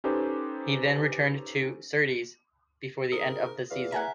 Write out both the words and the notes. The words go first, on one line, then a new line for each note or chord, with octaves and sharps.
He then returned to Surtees before the end of the season.
C#4 D#4 G4 A4 B4 C5
G#2 A#4 D#6
E2 F5
E5 F#5 G#5 A#5